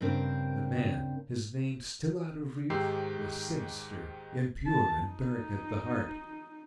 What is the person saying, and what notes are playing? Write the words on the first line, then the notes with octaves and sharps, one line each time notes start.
The man, his name still out of reach, was sinister, impure and dark at the heart.
G2 C#3 C4 A#4 C5
G#2 D#3 G4 E6 C7
A5
D#4